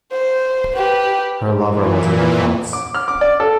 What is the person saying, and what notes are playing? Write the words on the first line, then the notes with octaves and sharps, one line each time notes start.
Her lover was in her thoughts.
C5
G4 B4
A#2 E3
D6
F6
D6
D5
A4